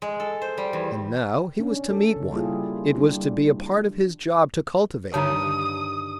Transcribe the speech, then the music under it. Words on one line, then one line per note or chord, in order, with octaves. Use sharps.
And now he was to meet one; it was to be a part of his job to cultivate one!
G#3
A4
C5
G3
E2
C#4 D4
A4
C#3
G3 A#3 E4 F4 G4 G#4
G3 D4 G4
G2 D3 D#3 G3 C#5 A5 A#5 D#6